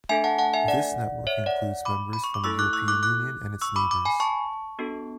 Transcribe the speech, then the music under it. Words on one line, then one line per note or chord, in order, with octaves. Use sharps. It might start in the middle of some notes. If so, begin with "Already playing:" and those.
This network includes members from the European Union and its neighbors.
A3 D4 A4 E5 G#5
F#5 A5
F#5 A5
E5 G#5
D5 F#5
C#5 E5
D5 F#5
B5 D6
B5
C#6
D6
A3 E4 A4 C#6 E6
D6 F#6
C#6 E6
D6 F#6
D6 F#6
C#6 E6
B5 D6
B5 D6
G#5 B5
A5 C#6
B3 D4 F#4 A4